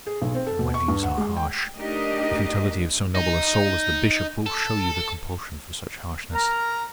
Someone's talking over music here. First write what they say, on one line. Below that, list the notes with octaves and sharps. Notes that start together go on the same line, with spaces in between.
My views are harsh; the futility of so noble a soul as the Bishop will show you the compulsion for such harshness.
G#4
B1
C4
A4
B2
C#6
G2
F#5
G#3
G5
A3 D4 D#4 G4 A#4 D#5
D#4
A4
A#4 A#5